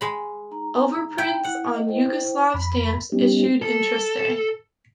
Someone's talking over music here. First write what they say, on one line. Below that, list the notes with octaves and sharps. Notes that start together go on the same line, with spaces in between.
Overprints on Yugoslav stamps issued in Trieste.
G#3 B5
D#4 A#5
G5
E4 F#5
D#5
E4 C5 G5
F2 B5
G3 B3 C#4 D#4 G4
A4